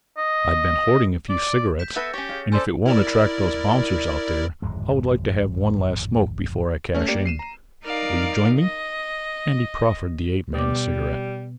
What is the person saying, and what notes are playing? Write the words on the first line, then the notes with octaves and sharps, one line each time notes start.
"I have been hoarding a few cigarettes and if it won't attract those bouncers out there I would like to have one last smoke before I cash in. Will you join me?" and he proffered the ape-man a cigarette.
D#5
D5
G6 B6 E7
B3 A4 B4 E5 A6 A#6 C#7
C#4 G4 C#5
G#4 F5
C#4 A4 C5 D5 G#5 E6 G6
E4 A#4 D5
D1 G#1 F2 G#3
A3 C#4
A#3 G4 D5
C7 D#7 E7
A#5
D#4 A#4 D5 F5
D#5
B2 G3 B3 D6